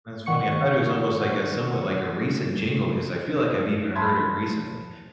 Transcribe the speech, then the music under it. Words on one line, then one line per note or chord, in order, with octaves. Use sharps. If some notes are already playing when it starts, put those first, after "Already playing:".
That's funny. I thought it was almost like a somewhat like a recent jingle 'cause I feel like I've even heard it recently.
D#3 F#5 C#6 C#7
A5 B5 C6 G#6